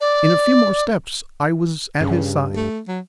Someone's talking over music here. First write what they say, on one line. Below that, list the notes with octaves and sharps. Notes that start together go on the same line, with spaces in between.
In a few more steps I was at his side.
D5
G2 C#3
A3
F#3